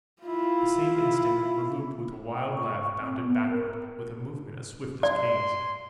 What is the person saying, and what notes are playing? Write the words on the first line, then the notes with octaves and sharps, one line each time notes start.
At the same instant Le Loup with a wild laugh bounded backward with a movement as swift as Kane's.
E4 F4
G5
C#6
C4
B3
A#4
D5 C6